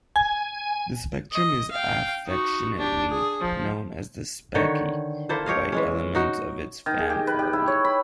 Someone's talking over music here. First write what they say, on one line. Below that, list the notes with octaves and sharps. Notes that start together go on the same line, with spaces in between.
The Spectrum is affectionately known as the "Speccy" by elements of its fan following.
G#5
D#5
F5 G5
D#4 F#4
D4 G4
G#4
F3
D3 D#3 C#5 G5
A#3 E4 A4 C5
G4 C#5 D#5 F5
E3 G#3 C#4
D#4 F#4
D#3
G#4
G4
B4
G4
E4
C#5
B5